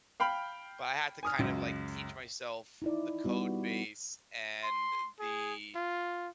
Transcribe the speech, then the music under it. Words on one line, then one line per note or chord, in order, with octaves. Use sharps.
but I had to kinda, like, teach myself the code base and the
F5 G5 B5 F6
G#5 D#6 F6
C#2 F#2
D#4 E4 D5
G3 B3 F#4
C6
G#4
F4